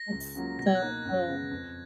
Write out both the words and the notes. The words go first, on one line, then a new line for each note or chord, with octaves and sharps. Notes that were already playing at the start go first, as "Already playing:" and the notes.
That's so cool.
Already playing: A#6
C#2
C#3 F#3 A#3 F4
B2 A#6
G#6
F#6
A#3 D#4 G#6
F#2
C#3 G#3 B3
F2